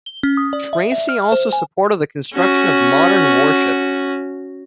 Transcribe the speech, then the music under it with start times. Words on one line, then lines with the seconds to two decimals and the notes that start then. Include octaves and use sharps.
Tracy also supported the construction of modern warships.
0.06 G7
0.23 C#4
0.37 D#6
0.53 D5
0.73 E5
0.92 E5
1.09 F6
1.32 C5
1.53 G#5
2.34 C#4 F#4